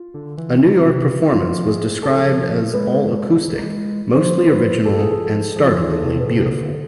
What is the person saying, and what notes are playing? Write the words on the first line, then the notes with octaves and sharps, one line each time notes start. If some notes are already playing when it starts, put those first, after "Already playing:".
A New York performance was described as all acoustic, mostly original and startlingly beautiful.
Already playing: F4
D3
E3
D3
C3
F3 F4
G#4
A4
G#3 B4
F3 C5
B4
A4
G#4
A4
F3 G#4
F4
G#4
E3
A4
C3
B2 B4
C3 A4
D3